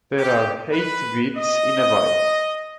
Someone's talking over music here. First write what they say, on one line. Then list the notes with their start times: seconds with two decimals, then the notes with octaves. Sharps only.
There are eight bits in a byte.
0.17 G4
0.71 B4
1.36 D#5